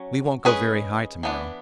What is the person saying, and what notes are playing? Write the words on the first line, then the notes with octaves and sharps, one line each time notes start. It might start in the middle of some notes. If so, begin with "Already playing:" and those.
We won't go very high to-morrow.
Already playing: F#3 C#4
G#3 C#4 G#4 B4
E3 B3 D4